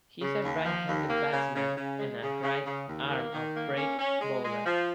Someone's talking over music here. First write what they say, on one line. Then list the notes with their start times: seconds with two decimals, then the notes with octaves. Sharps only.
He is a right-handed batsman and a right-arm off-break bowler.
0.22 C#3
0.44 D#2
0.66 F3
0.88 D#2
1.10 A#3
1.32 C#3
1.55 C#3
1.76 C#3
1.99 G#3
2.22 C#3
2.43 C#3
2.66 C#3
2.88 D#2
3.10 A#3
3.32 D#3
3.56 A#3
3.77 C#4
3.99 C#4
4.21 G#3
4.44 G#3
4.66 F3